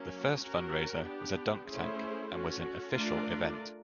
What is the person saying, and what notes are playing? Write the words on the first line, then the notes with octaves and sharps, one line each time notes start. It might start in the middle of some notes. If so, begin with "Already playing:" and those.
The first fundraiser was a dunk tank and was an "official" event.
Already playing: F#3 A#3 C#4
C#4 F#4 A#4
B3 D4 G4
A3 C#4 E4 G#4 C5
C#4 F#4 A4
A3 D4 F4 A#4 D5